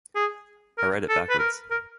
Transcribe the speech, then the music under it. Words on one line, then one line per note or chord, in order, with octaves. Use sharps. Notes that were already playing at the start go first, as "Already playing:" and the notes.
I read it backwards.
G#4
A#4
A4
B4
A#4
A#4